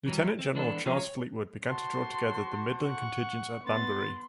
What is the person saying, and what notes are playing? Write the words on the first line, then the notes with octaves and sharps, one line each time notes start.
Lieutenant-General Charles Fleetwood began to draw together the midland contingents at Banbury.
E3 F#3 G3
C4
E3 G#3 B3 D4 A4
F3 F#3 G#3 C#4 F4
C#5
F#4 C5 A5 C6
F#5 C#6
B3 B5 C6 A6